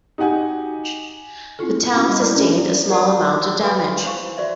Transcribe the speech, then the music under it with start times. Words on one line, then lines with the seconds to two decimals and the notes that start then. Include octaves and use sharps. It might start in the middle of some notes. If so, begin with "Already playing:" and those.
The town sustained a small amount of damage.
0.18 D#4 F#4 G4 F#5 G#5
1.59 C4 E4 F4 A4
1.93 B3 C#4 E4 F#4 B5
2.09 G3 D#5
2.21 E4 A#4 D5
2.35 C#4 D4 G4 A#4
2.58 D5
2.90 A#4 D5 F#5 A5 B5
3.62 G4 B4 F5 G#5 C6
4.04 E4 C5 F5 C#6
4.37 F#4 C5 D5 E5